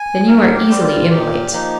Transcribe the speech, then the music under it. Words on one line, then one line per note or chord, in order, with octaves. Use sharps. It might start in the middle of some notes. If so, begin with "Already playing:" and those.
Then you are easily immolate!'
Already playing: G#5
G#2 A#4
G4
G3 C4
F4
A#2 G4
F3 A#3 D#4